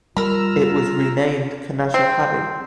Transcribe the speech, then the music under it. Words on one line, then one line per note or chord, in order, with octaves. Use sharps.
It was renamed Canajoharie.
G3 F4 A#4 A#5 B5 E6 F6
C4